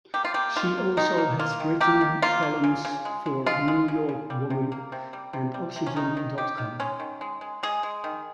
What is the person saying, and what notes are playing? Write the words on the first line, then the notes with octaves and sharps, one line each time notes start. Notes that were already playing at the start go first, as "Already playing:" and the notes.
She also has written columns for "New York Woman" and "oxygen dot com".
A#3 G4
F4
A#3 G4
D#3 F4
A#3
D#3 D#4
A#3
A#3 F4
D#3
A#3 G4
D#3
A#3 F4
A#3
C#3
C#3
G#3
G#3
G#3 F4
G#3
C#3
C#3
G3
C3
A#3
C3
G3
C3
G3
C3
C#4
D#3 D#4
D#3
D#3 G4
D#3
G#3 C#4
D#3
G#3
G#3
G#3 G#4
G#3
D#3